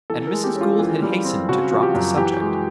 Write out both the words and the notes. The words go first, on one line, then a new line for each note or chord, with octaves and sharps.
And Mrs. Gould had hastened to drop the subject.
E3 A4
A#4
G#3
G4
C#4
F4
E3
G3
C4
C#3 F#4
F3 F#4
G4
F#2
E3 G4
G#3